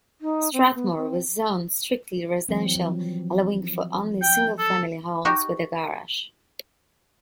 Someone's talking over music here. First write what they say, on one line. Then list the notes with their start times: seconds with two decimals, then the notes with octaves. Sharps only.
Strathmore was zoned strictly residential, allowing for only single-family homes with a garage.
0.21 D#4
0.53 C4
0.75 B3
0.97 C4
2.49 E3 F#3 C4
2.76 F3
4.22 G5
4.58 A4
5.25 D#4 F#4 G4 D#5